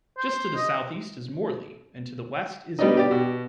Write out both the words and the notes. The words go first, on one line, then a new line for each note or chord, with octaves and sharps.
Just to the southeast is Morley, and to the west is Webb.
C5
D#5
G3 B3 D4 D#4
G4 D5
B2